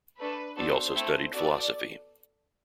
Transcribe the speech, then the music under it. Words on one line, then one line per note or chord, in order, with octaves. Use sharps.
He also studied philosophy.
A3 D4 A4 B4
B3 D4 F#4 A4 C5
A3 C4 E4 A4
B3 F#4 A4 D5